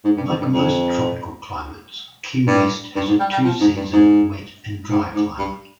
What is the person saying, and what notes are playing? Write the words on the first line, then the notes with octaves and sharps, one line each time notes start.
Like most tropical climates, Key West has a two-season wet and dry climate.
G#2
G2
F2
G2
F2
G2
G2
G#2
G3
G3
F3
G#2
G2
G#2
G#2
G#2
G2